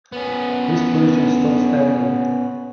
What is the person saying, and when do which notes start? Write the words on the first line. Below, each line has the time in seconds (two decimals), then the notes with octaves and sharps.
This bridge is still standing.
0.13 B3 C#4